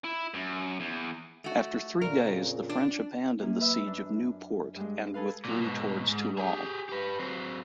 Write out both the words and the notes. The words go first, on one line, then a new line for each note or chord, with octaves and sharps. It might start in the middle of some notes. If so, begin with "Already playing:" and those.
After three days the French abandoned the siege of Nieuwpoort and withdrew towards Toulon.
E4
F#2
E2
A3 F#4
F2 A#2 C#3 A#4
D4
F#2 A#3
B4 E5
D4
G2 G#3
G#4 A4 B4 F5
A#2 F#3
G#2 B2
G#2
G4 G#4
G4 B4
F#3 C4